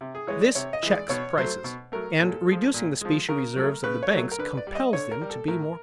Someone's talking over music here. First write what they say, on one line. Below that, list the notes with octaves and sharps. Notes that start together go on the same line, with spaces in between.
This checks prices, and, reducing the specie reserves of the banks, compels them to be more cautious.
C3
G#4
E3 G#3 C#5
D5
C3 C#5
D#5
E3 G#3
D5
B2 C#5
F#3 A3 C5
B2
F#3 A3 A#4
A#2 A4
F3 G#3
A#2
F3 G#3
C#3 A#4
F#3 A3
C#3 B4
C#5
F#3 A3
A#4
D3 B4
D5
G3
D#5
D3 C#5
A#4
G3
A4
A2 A#4